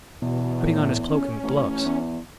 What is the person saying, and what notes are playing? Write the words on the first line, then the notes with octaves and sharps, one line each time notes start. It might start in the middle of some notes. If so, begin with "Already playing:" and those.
"Putting on his cloak and gloves."
E2 B2
A2
C#4
A1
E2